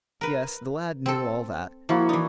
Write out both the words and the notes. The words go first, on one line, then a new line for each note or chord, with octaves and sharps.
Yes; the lad knew all that.
A#4 B4
C4 A4
F3 A#3 E4 F#4
E3 D#4 D5